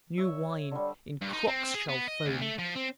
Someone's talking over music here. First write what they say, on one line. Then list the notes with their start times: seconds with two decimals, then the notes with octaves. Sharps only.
New wine, in crocks Shall foam!
0.18 C#5 E5
0.71 D3 G3
1.21 G2
1.33 D#4
1.47 C4
1.74 G#4
1.89 B3
2.08 D#5
2.26 D2
2.41 A3
2.58 F3
2.75 C4